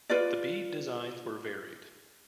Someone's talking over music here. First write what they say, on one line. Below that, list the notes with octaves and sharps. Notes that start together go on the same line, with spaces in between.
The bead designs were varied.
F4 B4 D5